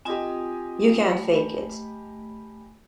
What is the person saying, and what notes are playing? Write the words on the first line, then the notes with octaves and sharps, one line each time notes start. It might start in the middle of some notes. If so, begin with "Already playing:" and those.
You can't fake it.
C4 F4 G4 D#5 G#5 D#6
A3 B5